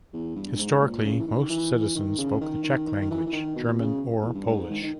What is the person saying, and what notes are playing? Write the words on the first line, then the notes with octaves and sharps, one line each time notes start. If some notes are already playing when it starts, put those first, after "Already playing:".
Historically, most residents spoke the Czech language, German, or Polish.
E2
G2
G2
G#2
A#2
C#3
E3
D#3
E3
E3
D#3
C#3
D#3
D#3
D#3
D#3
E3
E3
D#3
B2
C#3
E2
G2
G#2
D#3
D#3